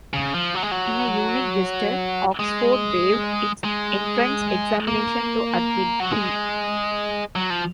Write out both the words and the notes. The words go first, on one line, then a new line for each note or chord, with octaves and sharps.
In a unique gesture, Oxford waived its entrance examination to admit him.
C#3
F3
F#3
G#3
F#3
G#3
G#3
A#3
F#3
G#3
F#3
F3